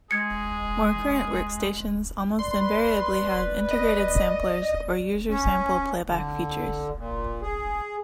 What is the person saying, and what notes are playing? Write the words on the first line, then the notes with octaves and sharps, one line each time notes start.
More current workstations almost invariably have integrated samplers or user sample playback features.
G#3 G#4 G#6 C#7
B4 D5 C6
D#5
C#4
D3
A#2
G#4